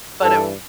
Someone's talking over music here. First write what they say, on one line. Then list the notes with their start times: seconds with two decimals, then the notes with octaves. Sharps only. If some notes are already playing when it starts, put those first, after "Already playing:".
But, um
0.22 G2 E3 A4